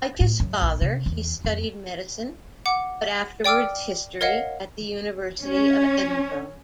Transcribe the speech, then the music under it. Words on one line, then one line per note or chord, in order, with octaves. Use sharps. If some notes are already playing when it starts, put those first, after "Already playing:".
Like his father he studied medicine, but afterwards history, at the University of Edinburgh.
A2
F#2
A#1
C3
E2
F2
F#5 D6
D5 G5 D6 E6 F6
A#4 C#5 D#5 F5 F#5
C#4